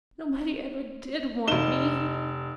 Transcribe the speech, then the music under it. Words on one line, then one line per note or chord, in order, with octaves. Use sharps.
Nobody ever did want me.
F1 D#4 E7 G7